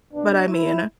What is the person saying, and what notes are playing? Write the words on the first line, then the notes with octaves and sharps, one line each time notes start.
but I mean,
C2 B2 B3 D4
E4